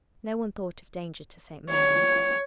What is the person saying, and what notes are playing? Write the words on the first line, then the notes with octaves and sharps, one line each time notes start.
No one thought of danger to St. Mary's.
C#5